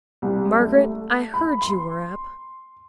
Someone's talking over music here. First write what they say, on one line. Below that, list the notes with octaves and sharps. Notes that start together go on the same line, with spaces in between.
'Margaret, I heard you were up.
C2
A3
B5
C6